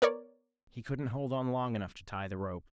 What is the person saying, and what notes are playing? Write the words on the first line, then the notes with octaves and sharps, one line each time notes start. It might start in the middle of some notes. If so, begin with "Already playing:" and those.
He couldn't hold on long enough to tie the rope....
B3 A#4 C#5 D5